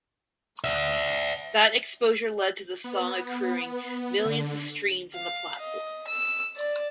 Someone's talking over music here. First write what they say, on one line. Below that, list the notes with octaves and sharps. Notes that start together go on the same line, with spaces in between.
That exposure led to the song accruing millions of streams on the platform.
D5 E5
B3
D3
F5
D#5
E6
D5